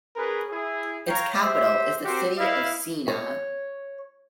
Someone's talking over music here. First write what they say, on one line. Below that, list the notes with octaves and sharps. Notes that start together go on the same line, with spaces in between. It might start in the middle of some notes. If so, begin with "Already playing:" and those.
Its capital is the city of Siena.
C#4 G#4 A#4 B4
E4 G#4
C#5 F5 G5 A#5
G4 C5 E5
C4 F#4 G4 A#4 C5
E4 B4 D#5 F5
C#5